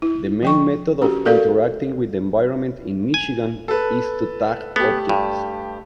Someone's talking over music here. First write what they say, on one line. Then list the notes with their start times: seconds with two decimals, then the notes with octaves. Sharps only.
The main method of interacting with the environment in "Michigan" is to "tag" objects.
0.02 E4
0.42 F3 G5 C#6
1.02 C#4 F#4 G4
1.25 F#4 A4 A#4 D5 F5
3.14 G#5
3.68 A4 B4
4.76 A3 B3 G4
5.09 G2